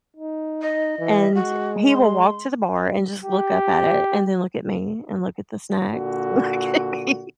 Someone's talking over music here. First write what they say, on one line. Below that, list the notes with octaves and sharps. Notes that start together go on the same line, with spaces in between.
and he will walk to the bar and just look up at it and then look at me and look at the snacks, look at me.
D#4
D#5
E3
G#3 F#4
C6
G4
A#2 D3 F#4